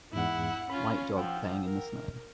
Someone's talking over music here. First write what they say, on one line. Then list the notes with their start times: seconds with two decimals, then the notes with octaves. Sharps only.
White dog playing in the snow.
0.13 E2 G#2 E4 F#5
0.70 C#4 F4 B5
1.17 F3 F#5 G5 E6
1.63 A#4